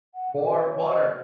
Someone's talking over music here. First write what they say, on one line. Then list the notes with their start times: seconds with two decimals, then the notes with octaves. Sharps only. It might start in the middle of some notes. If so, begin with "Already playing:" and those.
More water!
0.15 F#5
0.39 C#4 F#4 C5 D#5
0.64 C#5
0.83 F5
0.89 C#4 F#4 C5 D#5